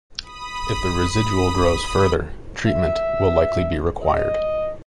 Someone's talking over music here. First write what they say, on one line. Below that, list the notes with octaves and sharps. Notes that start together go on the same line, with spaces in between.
If the residual grows further, treatment will likely be required.
B5 D#6
E5
D#5